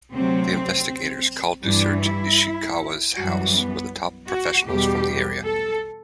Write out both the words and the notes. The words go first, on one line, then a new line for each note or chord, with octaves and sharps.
The investigators called to search Ishikawa's house were the top professionals from the area.
D2 C3 F#3 C4
G2 E3 G3 D4
E4
F#2 E3 G3 F#4
B3
F#4
E2 B2 G3 G4
A4